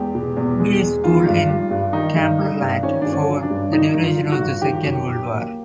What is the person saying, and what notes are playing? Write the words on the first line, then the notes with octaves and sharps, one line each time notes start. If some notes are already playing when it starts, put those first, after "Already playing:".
Bees School in Cumberland for the duration of the Second World War.
Already playing: E2 G#3 G4
B2
E2
G#3
E2
D#3 F4
G2
G3
G2
D#3 D#4
G2
G3
G2
D#3 C#4
G2 D4
C#4
F#3
D4
G2
D#3 D#4
G2
F4
F#3
F#4
G2
D#3 G4
F#2
F#3
A#3